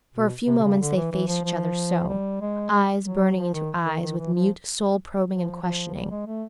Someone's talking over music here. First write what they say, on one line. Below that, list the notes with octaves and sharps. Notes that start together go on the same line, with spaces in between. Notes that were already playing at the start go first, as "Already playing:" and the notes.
For a few moments they faced each other so, eyes burning into eyes with mute soul-probing and questioning.
B2
C3
C3
C#3
D3
E3
E3
F3
F3
G3
G#3
F#3
F3
D#3
D#3
D#3
E3
F3
F3
F3
G3
G#3
A3